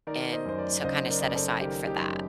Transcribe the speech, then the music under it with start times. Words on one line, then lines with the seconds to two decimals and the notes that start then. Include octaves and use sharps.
and so kinda set aside for that.
0.07 D#3 A#4 D5
0.33 C5 D#5
0.45 F#2 C5
0.58 A#4 D5
0.84 F#1 C5 D#5
1.10 A#4 D5
1.20 D#5
1.23 F#1
1.28 D5
1.36 A4 C5
1.61 D#3 G4 A#4
1.87 D#4 G4
2.00 F#2
2.13 D#4